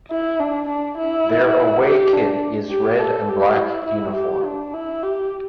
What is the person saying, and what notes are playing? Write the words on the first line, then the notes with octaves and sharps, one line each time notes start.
Their away kit is red and black uniform.
E4
D4
D4
E4
G4
D4
G4
A4
G4
E4
E4
G4
D4
E4
G4